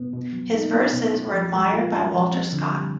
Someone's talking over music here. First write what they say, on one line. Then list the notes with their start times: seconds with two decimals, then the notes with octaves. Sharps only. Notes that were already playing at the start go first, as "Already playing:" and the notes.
His verses were admired by Walter Scott.
Already playing: B2 B3
0.14 B2
0.33 F#3
0.54 D#4
0.74 B3
0.93 B2
1.14 C#4
1.33 F3
1.53 G#3
1.73 F4
1.93 C#4
2.14 F3
2.33 C4
2.53 D3
2.72 G3